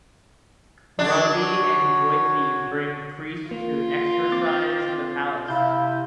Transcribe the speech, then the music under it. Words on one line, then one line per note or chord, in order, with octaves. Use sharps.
Ravi and Jyothi bring priests to exorcise the palace.
D4 F#4 C#5
A#3 F4
C4 D6 A6
C3 E4 F5 G6